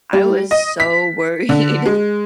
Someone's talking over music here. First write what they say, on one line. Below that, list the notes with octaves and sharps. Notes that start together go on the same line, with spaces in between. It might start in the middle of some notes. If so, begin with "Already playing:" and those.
I was so worried,
G3
D#5
B6
D3
G#3